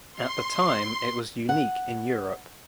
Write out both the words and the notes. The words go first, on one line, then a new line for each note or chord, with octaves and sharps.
At the time it was unique in Europe.
C6
F#5